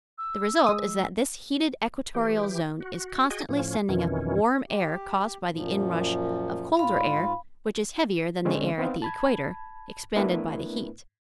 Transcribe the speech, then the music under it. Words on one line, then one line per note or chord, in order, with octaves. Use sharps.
The result is that this heated equatorial zone is constantly sending up warm air caused by the inrush of colder air, which is heavier than the air at the equator, expanded by the heat.
E6
G#3 D#6
E3 G4
F#4
F#4 G#4 D#5 G5 G#5
A2 F3 C#4
F2 B2 D#3 E3 C#4
G4
F#2 A#2 F3
G#2 F4 F5 B5
D3 G#3 C4 C#4
B3 C4 D#4 F5
A5 B5 G#6
A3 B3 D4 E4 A#4 B4